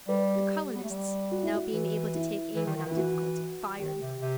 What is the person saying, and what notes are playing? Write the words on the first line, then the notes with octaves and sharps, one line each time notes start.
The colonists, now being able to take aim without difficulty, fired.
G3 B4
G4
B3
A3
G3
F#4
E4
F#4
E3
E4
E3
D#3
D#3
E3 E4
F#4
D#3 G4
C3
C3